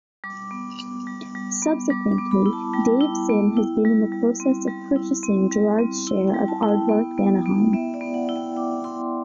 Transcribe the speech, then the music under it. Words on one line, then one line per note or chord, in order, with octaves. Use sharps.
Subsequently, Dave Sim has been in the process of purchasing Gerhard's share of Aardvark-Vanaheim.
G3 D6
B3
B3
G3
G3
B3
G3 D6
D6
B3
B5
E4
A5
G3 G5
E4
B3
E4
G3
G3
C4
G3
E4
C4
G3
C4
E4
G5
G3
A5
E4
G5
B3
B3
B3
B3 E5
D5
B3
F#5
E4
G5
E4 D6
E4 C6